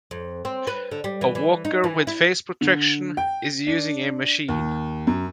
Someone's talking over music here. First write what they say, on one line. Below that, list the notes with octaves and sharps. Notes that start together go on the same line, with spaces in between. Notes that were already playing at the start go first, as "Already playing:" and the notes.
A worker with face protection is using a machine.
F2
C4
B4
D3
G3
E3
E3
D#4
E3
E4
D3
G5
D4
D#2
F#2